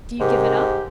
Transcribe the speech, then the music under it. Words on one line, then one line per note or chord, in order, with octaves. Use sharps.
"Do you give it up?"
G#2 C3 G4 A#4